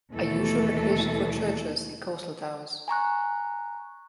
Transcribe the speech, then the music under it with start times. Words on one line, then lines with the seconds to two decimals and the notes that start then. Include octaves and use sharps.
A usual location for churches in coastal towns.
0.12 D#2 B2 E3 A3 A4
2.88 G#5 A#5 C#6 F#6